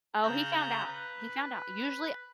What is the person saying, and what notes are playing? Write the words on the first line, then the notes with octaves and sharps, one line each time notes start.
oh, he found out, he found out. Usually uh,
C#3 A#5 F#6 G6
B4